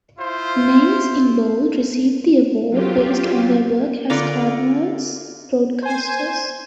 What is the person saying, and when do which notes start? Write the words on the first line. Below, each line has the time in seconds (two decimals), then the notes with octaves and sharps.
Names in bold received the award based on their work as Cardinals broadcasters.
0.19 E4 F4 C5
2.70 F#3 F4 G4
4.10 D3 F4 A#4 D5
5.83 C5 G#5